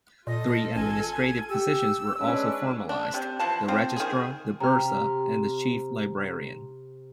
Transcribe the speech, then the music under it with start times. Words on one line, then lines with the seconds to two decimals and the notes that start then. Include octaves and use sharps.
Three administrative positions were also formalized: the Registrar, the Bursar and the Chief Librarian.
0.27 A#2 F4 A4 D#5
0.76 A1 G#5
1.49 G4 E6
2.19 G#3 C#4 D4 B4
2.89 D4
3.14 C3
3.39 E3 F3 A5
3.68 F3 C4
3.96 D#3 G#4
4.60 C3 A#5 F6